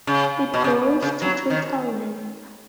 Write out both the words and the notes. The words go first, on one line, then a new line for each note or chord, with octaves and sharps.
It grows to total length.
C#3
B2
C#3
C#3
F#3
D#3